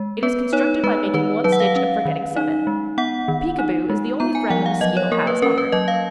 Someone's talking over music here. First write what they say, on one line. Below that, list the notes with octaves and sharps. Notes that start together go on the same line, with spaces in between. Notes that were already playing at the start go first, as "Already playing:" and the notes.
It is constructed by making one stitch and forgetting seven. The Peekaboo is the only friend the mosquito has on earth.
Already playing: G#3
B3 B4
D#4 C#5
G#3 B4
D#3 B4
F#3 B4
F#5
F5
C#4
D#3
D#4
G#3
B3 F#5
D#3
D#4
G#3
B3 A#5
G#5
F3 F#5
F5
F#3 D#5
C#5
A#3 A#4
B4
C#4 A#4
B4
F#3 D#5
F5